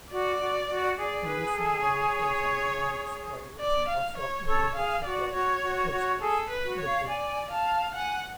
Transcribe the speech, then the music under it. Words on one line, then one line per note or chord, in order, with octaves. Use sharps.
Her missile launchers are now on display at the Norfolk Naval Shipyard, Portsmouth, Virginia.
F#4 D5
F#4
F#4
G#4 D5
B4
A4
C#5
D5
F5
C#5
A4 C#5
G#4 F5
F#4 D5
F#4 C#5
F#4
F#4
G#4 A4
B4
F#4
C#5
F5
D5 G#5
F5 A5
F#5 G#5